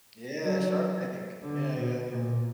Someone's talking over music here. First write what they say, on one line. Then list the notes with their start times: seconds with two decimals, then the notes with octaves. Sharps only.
Yeah, Shark Tank. Yeah, yeah, yeah.
0.43 F#3
1.43 D3
1.77 B2
2.11 A#2